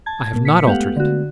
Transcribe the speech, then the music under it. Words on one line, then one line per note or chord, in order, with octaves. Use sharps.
"I have not altered it."
A5 G#6
A#2 A#3
B6 C#7
G#3 A3 B3 G4 F5 F#5
D3 F#4